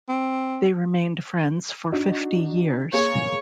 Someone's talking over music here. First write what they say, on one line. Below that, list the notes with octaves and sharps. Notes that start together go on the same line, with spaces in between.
They remained friends for fifty years.
C4
D4 D#4 F#4
A#3 G#4 C#5